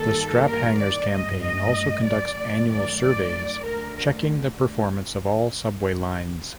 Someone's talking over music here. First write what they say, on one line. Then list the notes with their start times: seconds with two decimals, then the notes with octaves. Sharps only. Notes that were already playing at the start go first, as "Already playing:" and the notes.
The Straphangers Campaign also conducts annual surveys checking the performance of all subway lines.
Already playing: G2 D#3 G3 A#3 A4
0.48 A#4
0.79 D5
1.11 G2 F#3 A3 D#5
1.43 D#5
2.06 D5
2.38 F#2 D#3 A3
2.71 D5
3.02 D5
3.65 D2 D3 A3 A#4